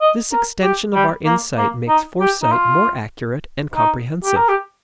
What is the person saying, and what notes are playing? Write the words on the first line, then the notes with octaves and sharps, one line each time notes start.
This extension of our insight makes foresight more accurate and comprehensive.
D#5
A#4
G4
G3
A#3
A#3
D#4
G4
D#4
F4
D#4
G4
A#4
G4